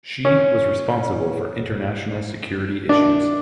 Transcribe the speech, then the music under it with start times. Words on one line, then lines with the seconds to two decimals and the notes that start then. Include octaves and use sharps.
She was responsible for international security issues.
0.25 C#4
2.89 D4